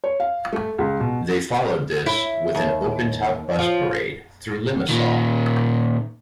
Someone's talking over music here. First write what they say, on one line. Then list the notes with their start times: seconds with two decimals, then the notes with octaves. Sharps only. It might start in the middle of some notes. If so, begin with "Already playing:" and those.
They followed this with an open-top bus parade through Limassol.
0.04 C#5
0.20 F5
0.52 A3
0.78 C#2
1.00 B2
2.06 E4
2.55 D#2
3.59 F3
4.89 A#2 D#3